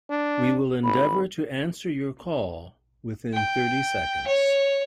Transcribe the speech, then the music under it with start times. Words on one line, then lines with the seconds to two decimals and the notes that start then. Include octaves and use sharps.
We will endeavour to answer your call within thirty seconds.
0.10 D4
0.84 G#1 B5
3.34 G5
4.27 C#5